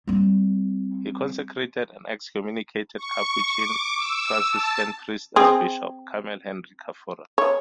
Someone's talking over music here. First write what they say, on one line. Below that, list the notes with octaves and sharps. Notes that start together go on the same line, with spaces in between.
He consecrated an excommunicated Capuchin Franciscan priest as bishop: Carmel Henry Carfora.
G3 C4
C#6
D6
E6
A5
C4 G#4
C#5